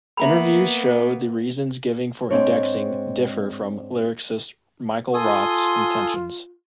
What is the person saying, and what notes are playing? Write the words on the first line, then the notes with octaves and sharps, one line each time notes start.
Interviews show the reasons giving for indexing differ from lyricist Michael Roth's intentions.
A#3 B3 E5 A#5 B5
G#2 G#3 C4 D4 C#5
F4 A4 G#5 C6 D#6